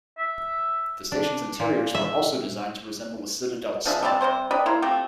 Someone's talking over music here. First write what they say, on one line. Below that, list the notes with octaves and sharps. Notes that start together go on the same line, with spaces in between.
The station's interiors were also designed to resemble the citadel's style.
E5
D4
A#2
E5
F3 D4 G#4 E5
G3 A3 C4 A5
C3 G3 C5 C6
D4 G4 D#5 B5
A#3 E4 C5 A#5
A3 C4 F4 G4